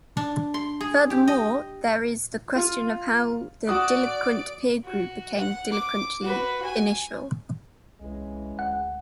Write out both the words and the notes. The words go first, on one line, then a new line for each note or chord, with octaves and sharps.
Furthermore there is the question of how the delinquent peer group became delinquent initially.
D4
C6
G#4
G4
D#5
F4
F#4 D5 D#6 F#6 D7
F#4
F#5
D6
F#4 B4
G#5
C2 C#3 E3 G#3
D2 F#5